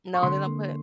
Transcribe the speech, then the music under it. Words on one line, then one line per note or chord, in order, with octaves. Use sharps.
No, they don't put
C#6
D3 C6
A#3